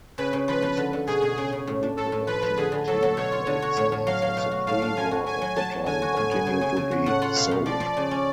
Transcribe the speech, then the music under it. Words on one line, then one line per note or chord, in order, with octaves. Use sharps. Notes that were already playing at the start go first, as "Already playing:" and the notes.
Posters and reproduction tin-plate signs of the pre-war advertising continue to be sold.
C#3 B4
C#3
F3 B4
F3
D3
D3
B2 G#4
B2
C#3 G#4
C#3
A2
D4
A2 A4
A2
F3 B4
F3
D3 G#4
D3
F#3 A4
F#3
B2 C#5
F4
D3
F#4
A2 C#5
A2
F#3 F5
F#3
B2 F5
F#4
A2 F5
D4
F3 G#5
F#4
F#3 G#5
F#3
F#3 A5
F#3
D3 G#5
F#4
A2 G#5
B3
C#3
C#3
C#3
F#4
A2 F#5
F4
B2 F5
B2
F3 D5
F3
C#3
C#4